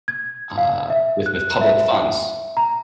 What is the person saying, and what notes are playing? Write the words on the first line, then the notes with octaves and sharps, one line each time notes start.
uh, with with public funds.
G#6
F5
E5
F#6
E5
A#5